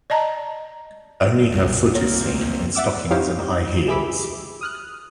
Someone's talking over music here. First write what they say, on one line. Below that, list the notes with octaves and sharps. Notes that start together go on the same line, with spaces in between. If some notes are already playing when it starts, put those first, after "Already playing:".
Only her foot is seen, in stockings and high heels.
D5 D#5 A5 A#5
C2
A#3 C4 C#5
D5 E5 F#5 D6 E6
D#4 E4 G4 C5 C#5 F5
G4 G#4 E5 B5 D6 E6
D#6 F6 F#6